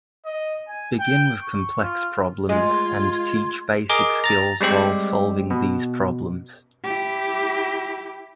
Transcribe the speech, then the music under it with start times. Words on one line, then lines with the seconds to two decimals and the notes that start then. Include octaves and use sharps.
Begin with complex problems and teach basic skills while solving these problems.
0.25 D#5
0.68 G#5
0.99 G5
1.42 C#6
1.81 F4
2.49 G#3 F4 C6 G#6
3.89 G#4 A#4 D#5 D6
4.24 A#5 A6
4.61 G3 G#3 C4 G4
5.50 B2
6.83 E4 G4